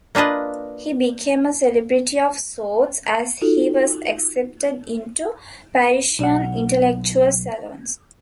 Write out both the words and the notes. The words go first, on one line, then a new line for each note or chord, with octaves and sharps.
He became a celebrity of sorts as he was accepted into Parisian intellectual salons.
A#3 D4 F4 B4 D#5
D#4 F4 F#4 A4
B1 F#5